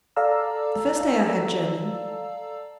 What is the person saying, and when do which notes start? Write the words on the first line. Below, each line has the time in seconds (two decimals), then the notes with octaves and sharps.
The first day I had German.
0.16 A4 D5 F5 A5 A#5 E6